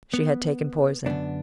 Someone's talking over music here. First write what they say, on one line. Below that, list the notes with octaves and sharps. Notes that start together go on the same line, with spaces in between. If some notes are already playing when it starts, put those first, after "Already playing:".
She had taken poison.
B3
F#2 D3 B3 D4